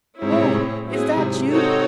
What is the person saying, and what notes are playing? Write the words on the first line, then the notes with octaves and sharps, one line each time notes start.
'Oh! is that you?
G#2 C4 E4 G#4 C#5
A2
G#2 C3
A2
F#3 C4 E4 G#4
G#2 C3
C4 D#4 F#4 A4 C#5